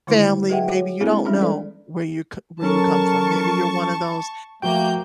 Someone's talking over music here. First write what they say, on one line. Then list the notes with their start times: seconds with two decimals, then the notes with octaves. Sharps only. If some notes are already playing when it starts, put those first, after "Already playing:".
family, maybe you don't know where you c where you come from, maybe you're one of those
0.07 D3 D#3 G#3 A3 D#4 E4
0.50 G#4 B4 D#5 E5 F#5 G5
0.70 F#4 C#5
1.01 G#3 A#3 C4 D4 E4 G#4
1.25 E3 G3 G#3 C#4 D4
1.40 A4 B4 D5
2.62 F#3 C#4 A4 A#4 A5 C#6
4.62 F3 A3 A#3 F#4 G5 G6